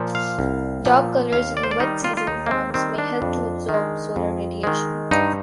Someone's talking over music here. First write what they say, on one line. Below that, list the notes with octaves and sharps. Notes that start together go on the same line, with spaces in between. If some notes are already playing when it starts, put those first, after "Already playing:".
Dark colours in wet-season forms may help to absorb solar radiation.
Already playing: A#2 F3
F5
C2
A#2 F3
D#2 F5
D5
C5
D5
D#3 G3 D#4
F4
F4
D#2 D#4
A#3
C4
D#3 G3 C4
D4
F2
D#3
G#3
F2
D#3 G#3
G2 D#4